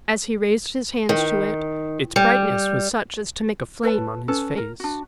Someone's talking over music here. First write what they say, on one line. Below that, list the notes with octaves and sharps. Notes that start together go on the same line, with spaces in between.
As he raised his hands to it, its brightness was such as to make a flame on his face.
D#3
G3
A4 B4 C#5 A5
C#4 A4 B4
A#4
D4 F#4